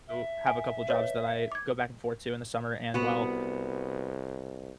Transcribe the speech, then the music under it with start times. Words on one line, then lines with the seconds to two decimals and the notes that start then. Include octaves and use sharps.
do have a couple jobs that I go back and forth to in the summer and while,
0.07 E5
0.47 G#5
0.89 B4 C#5 D#5
1.52 D6 G#6
2.94 C2 B3 F#4